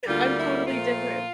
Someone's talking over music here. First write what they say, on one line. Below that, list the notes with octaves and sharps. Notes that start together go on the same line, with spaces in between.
I'm totally different.
D2 D3 G3 A#3 F4
E4
A#2 F3 A3 F4